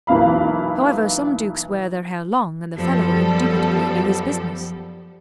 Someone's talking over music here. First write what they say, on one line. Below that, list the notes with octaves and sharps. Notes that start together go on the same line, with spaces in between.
However, some dukes wear their hair long, and the fellow indubitably knew his business.
B1 E3 A#3 F5 B5
F#2 F3 G3 B3 A4